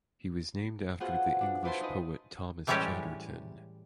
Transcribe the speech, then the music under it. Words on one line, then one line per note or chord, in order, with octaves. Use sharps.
He was named after the English poet Thomas Chatterton.
B3 F4 F#4 G#4 C5 F#5
D4
D4 E4 B4 C5 A5 C6
D#4 G#4 B4 D#5
A2 E3 G3 G#3 C#4 G4